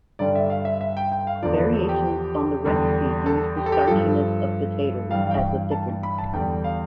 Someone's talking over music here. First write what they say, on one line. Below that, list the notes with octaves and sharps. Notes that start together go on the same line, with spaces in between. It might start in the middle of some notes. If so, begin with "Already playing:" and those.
Variations on the recipe use the starchiness of potato as a thickener.
G2 D3 G3 D5
E5
F5
E5
E5
G5
G5
F5
E2 D3 F3 D5
B4
A4
G4
E2 D3 G3
A4
G4
A4
G4
G2 F3 A4
G2 E3 G3 F5
F5
G5
A5
B5
A5
E2 D3 G3 G5
F5